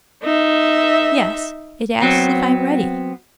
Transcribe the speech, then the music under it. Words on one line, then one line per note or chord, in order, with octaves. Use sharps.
"Yes; it asks if I am ready."
D#4 E5
F#3 B3 C4